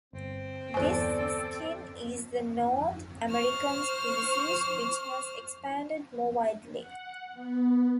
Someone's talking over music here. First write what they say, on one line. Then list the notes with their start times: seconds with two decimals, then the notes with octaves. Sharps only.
This siskin is the North American species which has expanded more widely.
0.13 G1 C4
0.74 G1 E2 A4 C5 D5 G#5
3.31 C5 C#6 F6
6.79 F#5
7.34 B3